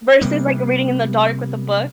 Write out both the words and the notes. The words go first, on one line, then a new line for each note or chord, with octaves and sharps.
Versus, like, reading in the dark with a book,
C3 G3 A#3 B3